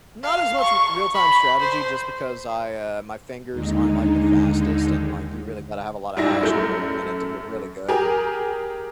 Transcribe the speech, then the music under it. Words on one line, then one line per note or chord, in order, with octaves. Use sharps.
not as much Real-Time Strategy just because I, uh, my fingers aren't, like, the fastest and, like, you really gotta have a lot of action-per-minute to get really good.
F5
C#6
B5
C5
D#2 D3 G#3 D#4
G#2 G3 E4 A#6
F#2 A3 G6
G4 G#4 A#4